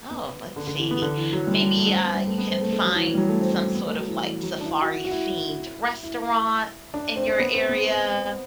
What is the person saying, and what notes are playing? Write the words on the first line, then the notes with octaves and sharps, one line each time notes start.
oh, let's see, maybe, uh, you can find some sort of, like, safari-themed restaurant in your area.
B3
D3
D3
E3
B3
D3
E3
F#3
G3
G3
A3
D4
C4
B3
G3
A3
B3
C4
A3
A3
F#3
E3
E3
G3
F#3
A3
C4
C4
C4
B3
A3
F#3
E3
E3
F#3
D4
E4
F#4
F#4
E4
E4
D4
C4
C4
B3
C4
B3
C4